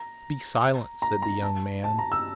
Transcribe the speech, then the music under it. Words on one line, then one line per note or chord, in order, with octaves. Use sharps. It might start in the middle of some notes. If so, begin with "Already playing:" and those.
"Be silent," said the young man.
Already playing: A#5
A#5
A#5
A5
A5
A#5
E6